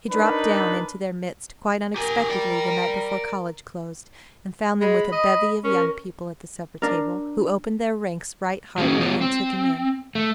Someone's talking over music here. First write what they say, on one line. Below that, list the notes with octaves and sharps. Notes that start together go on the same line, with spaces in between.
He dropped down into their midst quite unexpectedly the night before college closed, and found them with a bevy of young people at the supper-table, who opened their ranks right heartily, and took him in.
D4 D#4 A#4 B4
G4 A#4 G#5
D5 G5
G#3 B5
D#5
C#4 A#4
D4 A#4
F#3 G#3 A#3 C#4 G#4
G#3 B3 F4 C#5
C4
A3